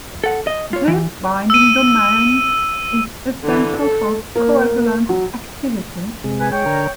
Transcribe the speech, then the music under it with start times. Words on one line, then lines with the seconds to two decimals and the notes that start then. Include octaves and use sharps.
This binding domain is essential for coagulant activity.
0.24 A4 F#5
0.47 D#5
0.73 F4 C#5
0.88 E3
1.50 E6 D#7
3.43 D3 E3
3.77 A4
4.35 A#3
5.09 F#3
6.24 C3 G#3
6.40 B4 G#5
6.51 G#3 C#5 G5
6.66 D3 A#4